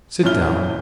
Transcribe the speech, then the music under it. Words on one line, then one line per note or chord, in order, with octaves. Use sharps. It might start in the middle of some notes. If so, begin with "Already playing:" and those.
Sit down.
D#1 G#1 C#4 E4 F6 G7